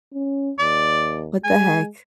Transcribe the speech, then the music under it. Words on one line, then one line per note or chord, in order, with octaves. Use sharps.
What the heck?
C#4
D#2 D5
G#3 G#5